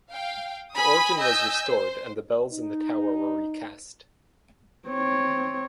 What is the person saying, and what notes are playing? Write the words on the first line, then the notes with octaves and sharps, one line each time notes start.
The organ was restored and the bells in the tower were recast.
F5 G5
G#5 B5 D#6
D#5 G#5 E6 G6 B6
C5
D#4
C4 C#5